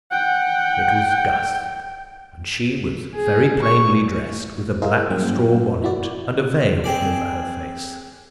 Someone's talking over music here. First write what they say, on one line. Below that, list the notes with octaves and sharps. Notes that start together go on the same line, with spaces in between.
It was dusk, and she was very plainly dressed, with a black straw bonnet, and a veil over her face.
F#5 G5
G#4
C#6
E4 G#4 A#4 C5 D#5 F5
G2 F#3 A#3 C#4 G5
E4 F#4 D5
C4 G#4 D5